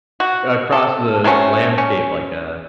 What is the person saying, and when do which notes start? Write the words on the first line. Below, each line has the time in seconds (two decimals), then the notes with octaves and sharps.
across the landscape like a
0.20 F#4
0.72 A4
1.24 F#3 A3 C4 C#4
1.78 C#4